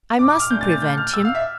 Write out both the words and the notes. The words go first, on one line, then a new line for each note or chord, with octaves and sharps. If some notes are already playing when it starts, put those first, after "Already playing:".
I mustn't prevent him.
D6
D6
F6
A#2 A3 D4 G6
A6
A6
G6
F6
E6
F5
E5